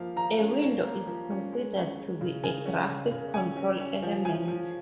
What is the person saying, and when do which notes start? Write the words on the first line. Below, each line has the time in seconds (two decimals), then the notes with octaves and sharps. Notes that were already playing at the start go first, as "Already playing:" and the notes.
A window is considered to be a graphical control element.
Already playing: F3 A#3 F5
0.16 F3 A#5
0.39 C#4
0.62 C#4
0.84 A#3
1.07 F3
1.30 C#4
1.52 G#3
1.75 C#4
1.98 G#3
2.21 C#3
2.43 C#3 G#5
2.66 C#4
2.88 C#3
3.12 C#3
3.34 C#4 G#5
3.57 C#4
3.80 C#4
4.03 F3
4.25 F3 G#5
4.48 F3